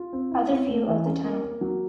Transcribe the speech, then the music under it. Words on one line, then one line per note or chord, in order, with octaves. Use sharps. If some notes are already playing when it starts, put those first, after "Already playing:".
Other view of the tunnel.
Already playing: F4
C4
E4
C4
A3
E3
C#4
A#3
A#3
F#3